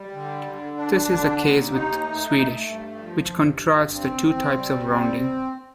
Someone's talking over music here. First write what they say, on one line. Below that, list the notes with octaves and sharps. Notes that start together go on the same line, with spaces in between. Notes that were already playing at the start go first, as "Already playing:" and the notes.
This is the case with Swedish, which contrasts the two types of rounding.
Already playing: G3
D3
D3
D4
D3
D#2
D#4
A3
A3
G2
F3
G2
G2
C4
C4
G3
C4